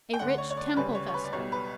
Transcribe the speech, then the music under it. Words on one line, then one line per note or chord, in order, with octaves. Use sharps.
A rich temple vessel.
G5
D2 D3 A3 C#4 F#5
C#5
C#5
D5
D2 C#3 G3 C#4 B4
C#5
C#5
B4
D5
B1 B2 G3 C#5
B4